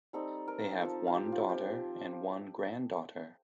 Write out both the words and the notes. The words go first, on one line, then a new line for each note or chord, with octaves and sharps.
They have one daughter and one granddaughter.
G3 C4 D#4 A4
A#4
F3 C4 F4 A4
F4
G4
F4
F3 C4 F4 G4